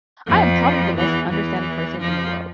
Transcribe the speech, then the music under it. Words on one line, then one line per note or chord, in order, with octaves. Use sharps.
I am probably the most understanding person in the world.
F2 F3
E2 E3
E2 E3
F2 F3